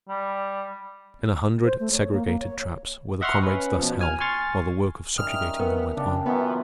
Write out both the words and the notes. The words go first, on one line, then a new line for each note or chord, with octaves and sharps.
In a hundred segregated traps were the comrades thus held while the work of subjugating them went on.
G3
C5
A3
C#5
A#3
A#3
C#5
D#5 E5 F#5 C6 C#6 F6
C#4 B4
B2 F3
G#5 F6
G#5 C6 C#6 F6 A6
D#3 G3 C#4 E5 D#6 F6
B3 A#4
C#3 D4 G5 A5
F#2 E3 B3 D#4 F4